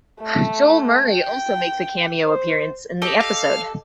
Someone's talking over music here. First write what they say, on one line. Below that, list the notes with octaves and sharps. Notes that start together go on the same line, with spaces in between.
Joel Murray also makes a cameo appearance in the episode.
A3
G5
C5
G4 A4 D#5
F5